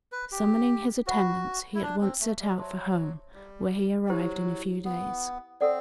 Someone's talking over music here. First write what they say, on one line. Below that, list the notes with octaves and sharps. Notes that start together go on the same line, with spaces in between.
Summoning his attendants, he at once set out for home, where he arrived in a few days.
B4
G4
F#4 C5 F#5 B5
E4
D4
C4
A3
G3
F#3 C5 E5 A5 C6
G3
G3
F#3 E4 G4 C5
B3
C4 A4 D5 F#5